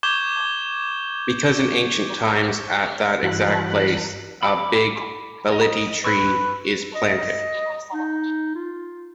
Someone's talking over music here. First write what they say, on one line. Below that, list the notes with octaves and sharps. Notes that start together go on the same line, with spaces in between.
Because in ancient times at that exact place, a Big Baliti Tree is planted.
C#6 D6 G6 G#6 E7 G7
G2 E3 F#4 B5 F#6
B5 D6
D#5
B4 C#6 E6 F#6
D#5
D#4
F4